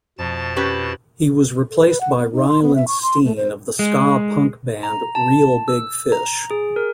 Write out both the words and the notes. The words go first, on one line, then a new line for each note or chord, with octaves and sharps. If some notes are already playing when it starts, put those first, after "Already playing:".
He was replaced by Ryland Steen, of the ska punk band Reel Big Fish.
F2 B2 A5 A6
C#4 G4 B4 G6 B6
A4
B4
F#5
B3
D#4
C6
B3
E5
C#6
C6
A3
C5
G#3
A#5
A5
E6
A#5
G#4
A#4